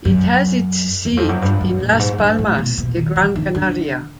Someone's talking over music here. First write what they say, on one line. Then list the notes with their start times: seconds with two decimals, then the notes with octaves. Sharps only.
It has its seat in Las Palmas de Gran Canaria.
0.05 F#2
1.05 E2
1.17 F2
1.29 F#2
1.42 G2
1.61 F#2
1.80 A#2
1.92 G2
1.99 G#2
2.18 G2
2.39 A2
2.58 B2
2.78 B2
2.97 D#3
3.16 E3
3.36 D#3
3.55 D3